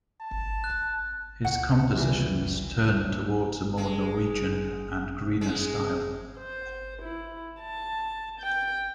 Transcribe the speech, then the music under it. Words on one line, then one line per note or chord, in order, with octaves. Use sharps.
His compositions turned towards a more Norwegian and "greener" style.
A5
F#6
C#2 F#5
A#2 E3 G3
G#3
G#3
C5
E4
A5
G5